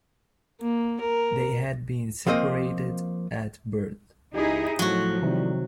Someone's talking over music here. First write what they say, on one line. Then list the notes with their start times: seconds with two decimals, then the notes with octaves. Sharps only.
They had been separated at birth.
0.61 A#3
1.01 A#4
2.27 F3 A#3 C4 D#5
4.34 C#2 D#4 E4 G4 G#4
4.79 A2 F3 F#3 F#4
5.22 A2 C3 D#3 G3